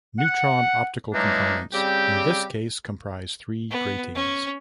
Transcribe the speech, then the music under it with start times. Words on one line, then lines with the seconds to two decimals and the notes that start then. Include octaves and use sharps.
Neutron-optical components in this case comprise three gratings.
0.19 F#5
1.14 E3 F#3 G#3 A#3 D4 D#4
1.73 C#3 G3 C4 G4
3.71 B3
4.15 C#4